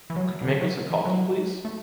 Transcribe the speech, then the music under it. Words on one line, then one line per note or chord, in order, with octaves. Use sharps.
Could you make me some coffee, please?
E3
F#3
B2
D3
F#3
E3
F#3
A3